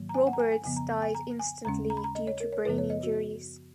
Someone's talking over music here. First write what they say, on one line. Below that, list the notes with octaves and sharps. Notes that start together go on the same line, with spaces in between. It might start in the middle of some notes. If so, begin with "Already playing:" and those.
Roberts died instantly due to brain injuries.
Already playing: G#2 D#3 F#3 A#3
A#5
G#5
F#5
A#5
G#5
G#5
F2 C#3 F3 B3 G#5
A#5
G#5
A#5
G#5
D#2 C#3 G#3 C#4 A#5
A#5
B5
A#5
D#5
C#5
A#4
C#5
F#2 C#3 F3 B3 B4
C#5
D#5
F#4